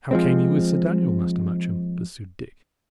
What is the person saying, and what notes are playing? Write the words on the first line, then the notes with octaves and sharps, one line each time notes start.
"And how came ye with Sir Daniel, Master Matcham?" pursued Dick.
F3 G#3 C4